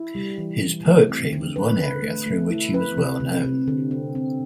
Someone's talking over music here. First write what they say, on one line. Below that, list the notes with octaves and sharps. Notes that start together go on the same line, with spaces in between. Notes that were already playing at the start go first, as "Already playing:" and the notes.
His poetry was one area through which he was well known.
Already playing: E4
G3
E3
E3
A3
C4
D3
B4
B4
A3
A3
E4
B4
C3
C3
C3
D3
C4
C4